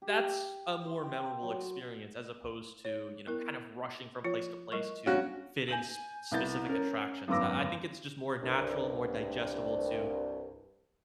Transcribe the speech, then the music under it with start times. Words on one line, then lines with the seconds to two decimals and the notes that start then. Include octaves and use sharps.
that's a more memorable experience as opposed to, you know, kind of rushing from place to place to fit in sp specific attractions; I I think it's just more natural, more digestible to
0.02 G4
0.86 C6
1.03 G5
1.43 F#3
2.85 C#5
3.27 B3 E4 A#4
4.24 F3 F4 C#5
4.72 G3 A#4 C#6
5.06 B3 C#4 D4 F#4 F5
5.68 G#5 G6 D#7 F#7
6.31 C2 B3 E4 G6 A6
6.66 C#4 A#4
7.28 G#1 F#2 B3 D6 E6 A#6
8.41 C2 G2